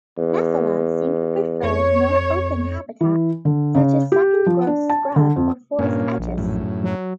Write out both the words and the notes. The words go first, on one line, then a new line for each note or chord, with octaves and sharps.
"Nephila" seem to prefer more open habitat such as second-growth scrub or forest edges.
E2
F2 C#5
E3
D3
C#3
G4
F3
D4
A5
D3
F2
G2 A#2 A#3 C#4
A#1
F#2 A2
F#3